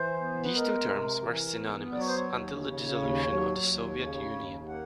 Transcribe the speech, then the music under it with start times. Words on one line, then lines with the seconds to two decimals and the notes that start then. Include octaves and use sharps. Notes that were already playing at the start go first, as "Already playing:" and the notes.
These two terms were synonymous until the dissolution of the Soviet Union.
Already playing: E3 C5
0.20 B3
0.44 B4
0.55 G#3 A#4
0.90 C3
1.24 E3
1.58 B3
1.93 F#3 D5
2.00 C#5
2.08 C5
2.16 C#5
2.27 D#2
2.61 C#3
2.96 D#2
3.30 F#3
3.65 D#2
3.99 C#3
4.34 D#2
4.68 A#3 F#5